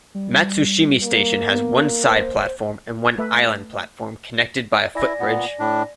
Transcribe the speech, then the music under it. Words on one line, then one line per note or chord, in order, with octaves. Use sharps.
Matsushima Station has one side platform and one island platform connected by a footbridge.
G3
A#3
B3
C5
A3 B4 E5
E4 D5 G#5 A#6
A#2 B3
A2 D4